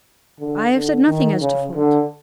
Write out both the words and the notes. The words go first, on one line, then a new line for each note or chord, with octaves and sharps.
I have said nothing as to fault.
D3
D3
D#3
C#3
D3